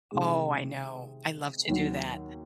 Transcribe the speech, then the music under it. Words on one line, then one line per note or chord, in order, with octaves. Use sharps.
Oh, I know. I love to do that.
C3 D#3 G#3
D#2 D#3 F#3